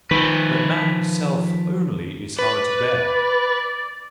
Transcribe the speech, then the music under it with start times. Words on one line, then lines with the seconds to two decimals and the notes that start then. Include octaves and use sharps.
But man himself only is hard to bear!
0.11 D#3 F3 B4
2.39 B4 D5